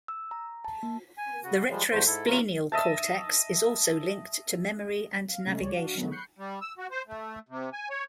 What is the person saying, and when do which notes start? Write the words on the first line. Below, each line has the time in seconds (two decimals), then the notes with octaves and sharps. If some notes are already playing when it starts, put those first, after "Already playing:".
The retrosplenial cortex is also linked to memory and navigation.
0.08 E6
0.31 A#5
0.64 A5
0.83 A#3
1.18 G#5
1.44 C#3 F#4
1.71 F3 G3 G#3
1.91 E2 A3 C5
2.06 G#2 E4 A4
2.27 C3 E3 G#3 C#4 F4 A#5
2.72 D#5 E5 A5
5.29 F5
5.47 C3 G#3 A3 C#4
5.60 C#2 G3 C#5 D5
5.76 D4 F#4 F5
5.95 D#3 F#3 G#3 A3 B3
6.11 B5 C#6 F#6 G6 C7 C#7
6.39 G3
6.61 E6
6.78 F#4
6.91 C5
7.08 A3
7.49 C3
7.73 G#5
7.90 C#5